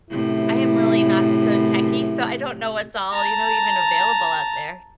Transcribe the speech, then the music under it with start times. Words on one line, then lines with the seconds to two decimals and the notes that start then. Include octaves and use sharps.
I am really not so techy, so, I don't know what's all, you know, even available out there.
0.10 F#2 A2 C3 E4
3.12 A5 A#5